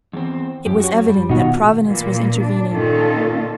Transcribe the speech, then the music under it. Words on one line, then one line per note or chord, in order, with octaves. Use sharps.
It was evident that Providence was intervening.
E2 C4
F#2 G4
F#4 C#5
G3
B2 D#3 D#4 F4 F#4
A#2 E3 A#3
D4
A#2 D#3 C#4 F4 A4